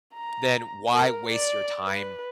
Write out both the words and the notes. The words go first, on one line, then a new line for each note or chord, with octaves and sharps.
then why waste your time
A#5
A#4
D5
B4